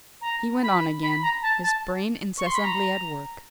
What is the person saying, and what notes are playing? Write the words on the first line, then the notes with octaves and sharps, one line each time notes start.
He went on again--his brain incessantly at work.
A#5
B5
B5
A#5
A5
A5
C#6
C6
B5
A#5